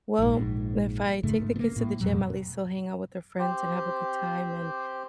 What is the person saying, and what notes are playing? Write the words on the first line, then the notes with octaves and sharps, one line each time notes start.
"Well, if I take the kids to the gym, at least they'll hang out with their friends, and have a good time, and
A#1 G#2
G#2 C#3 A3
A#3 B3
A2
F2 B2 F#3
C4 G4 C5